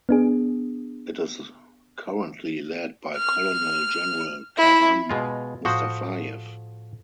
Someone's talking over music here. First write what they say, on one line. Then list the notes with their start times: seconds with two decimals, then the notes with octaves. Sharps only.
It is currently led by Colonel General Karam Mustafayev.
0.09 B3 D4 G#4
3.16 F6
4.58 E4
5.09 B2 G#3 F4
5.65 A2 F3 F#4 C5 D#6